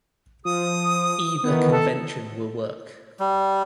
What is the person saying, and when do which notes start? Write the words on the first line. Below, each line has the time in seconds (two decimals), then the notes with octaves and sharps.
Either convention will work.
0.45 F3 D#6
1.43 D#3 E3 B3
1.71 A4
3.20 G3